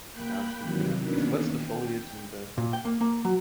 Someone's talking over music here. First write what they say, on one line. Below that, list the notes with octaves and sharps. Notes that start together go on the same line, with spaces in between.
Absolutely not. So, what's the foliage and the
A#3 G5 B5 F#6 G6
C3 D#3 E3 F#3
D#3 E3 A#3 B3 C#4 D4
G5
A#2
G5
A#3
A#3
F#3